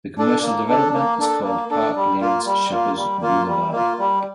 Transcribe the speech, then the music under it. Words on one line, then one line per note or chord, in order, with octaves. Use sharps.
The commercial development is called "Park Lane Shopper's Boulevard".
D4 A4
A#3
D4 A4
A#3
D4 A4
A#3
D4 A4
G3
A#3 F4
G3
A#3 F4
G3
A#3 F4
G3
A#3 F4
G3